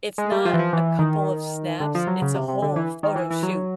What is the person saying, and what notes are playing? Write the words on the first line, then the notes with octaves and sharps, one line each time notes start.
it's not a couple of snaps, it's a whole photo shoot.
G#3
G3
F3
E3
F3
E3
D#3
D3
F3
F#3
C#3
C3
C3
D3
E3
D#3
E3
E3
F#3